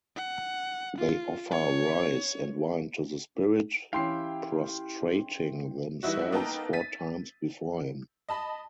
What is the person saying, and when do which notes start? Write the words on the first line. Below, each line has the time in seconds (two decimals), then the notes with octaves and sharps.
They offer rice and wine to the spirit, prostrating themselves four times before him.
0.16 F#5
0.98 F4
1.51 C#5
3.93 E3 C#4 E4 G4 F5 G5 C6 C7
6.03 E3 G3 D#4 E4 F#4
6.32 A#3 B3 D#4 A4 G5 A#5
6.73 A6 B6 D#7
8.29 D#5 A5 B5